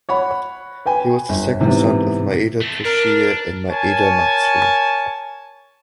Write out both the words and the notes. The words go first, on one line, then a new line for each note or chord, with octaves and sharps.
He was the second son of Maeda Toshiie and Maeda Matsu.
C#5 F#5 B5
B4 G5 G#5
G1
G#2 C3 E3 B3
A3 C4
D4 A#4
A#4 C#5 G#5 A5